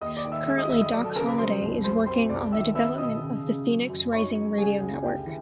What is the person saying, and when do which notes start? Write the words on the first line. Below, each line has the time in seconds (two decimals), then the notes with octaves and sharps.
Currently Doc Holliday is working on the development of the Phoenix Rising Radio Network.
0.01 D#2 D#5 D#6
0.17 D5 D6
0.25 D#3
0.32 E5 E6
0.47 G#3 E5 E6
0.58 D#5 D#6
0.70 D2 E5 E6
0.81 D#5 D#6
0.93 F#3 D5 D6
1.04 A4 A5
1.16 C#3 A#4 A#5
1.27 B4 B5
1.38 F#3 C5 C6
1.62 C2
1.84 F#2 C5 C6
2.06 C4 C5 C6
2.29 C2 D5 D6
2.52 D#3 E5 E6
2.75 B3 E5 E6
2.98 B2 D#5 D#6
3.21 C#3
3.44 C#3
3.67 F#3
3.89 F#2
4.12 D#4 C#5 C#6
4.35 D#4
4.58 C#2 G#4 G#5
4.81 C#2
5.03 D2 G4 G5
5.26 E3